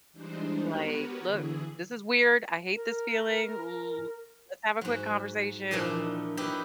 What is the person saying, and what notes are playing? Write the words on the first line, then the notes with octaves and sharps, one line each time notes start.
like, "Look, this is weird, I hate this feeling, L let's have a quick conversation. W
E3 G3 G#3 D4 D#4 C5
B3 F#4 G4 A#4 B4 C#5
D3 E3 E4 G#4
A#4
G#2 F#3
A#2 E3 F3 D4 D#4
F#3 B3 D#4 E4 G4